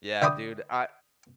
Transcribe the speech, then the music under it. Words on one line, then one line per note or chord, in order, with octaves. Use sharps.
Yeah, dude, I
D3 E5 G5 B5 D6 D#6